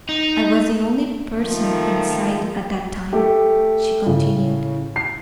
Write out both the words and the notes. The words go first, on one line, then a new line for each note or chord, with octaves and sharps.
"I was the only person in sight at that time," she continued.
D#4
D#3 F3 A3
A3 G4
A2 C#3
C7